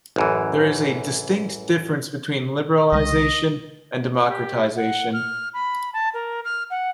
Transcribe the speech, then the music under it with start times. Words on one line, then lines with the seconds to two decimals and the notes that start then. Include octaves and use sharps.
There is a distinct difference between liberalization and democratization.
0.16 A1 F#2 E3
2.92 C2 C#3 G#3 D#5
4.28 G4
4.76 F#5
5.13 F6
5.54 B5
5.93 A5
6.14 A#4
6.45 F6
6.70 F#5